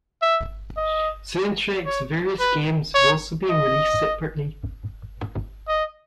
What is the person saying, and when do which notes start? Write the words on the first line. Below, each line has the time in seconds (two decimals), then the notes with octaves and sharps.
Soundtracks of various games have also been released separately.
0.22 E5
0.77 D#5
1.86 C#5
2.40 B4
2.94 C#5
3.50 D#5
5.68 D#5